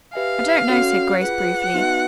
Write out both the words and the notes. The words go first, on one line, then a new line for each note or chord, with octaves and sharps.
"I don't know," said Grace briefly.
G4 B4 E5 F5 G#5
C#4 F#4 A4 C#5 F#5
F4 G#4 B4 F#5
B3 D#4 F#4 B4 E5